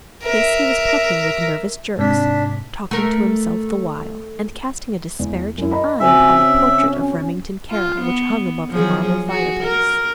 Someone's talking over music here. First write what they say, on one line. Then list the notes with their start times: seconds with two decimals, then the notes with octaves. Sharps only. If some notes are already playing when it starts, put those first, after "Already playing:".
This he was plucking with nervous jerks, talking to himself the while, and casting a disparaging eye upon the portrait of Remington Kara which hung above the marble fireplace.
0.23 A#4 E5
1.99 G#2 C3 D4 B6
2.91 A3 A#4
5.19 E2
5.58 F#2 E4
5.71 D#5 A#5 B5
6.00 C#3 C4 F#4 E5 G#5
6.35 C#4
7.70 F4
8.01 B3
8.70 F3 F#3 G#4
9.29 F#4 G#4
9.63 A#4